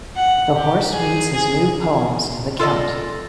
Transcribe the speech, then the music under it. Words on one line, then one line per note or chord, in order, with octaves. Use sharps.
The horse reads his new poems to the Count.
F#5
G4
G#4
G#4
F4 A4 D5 D#5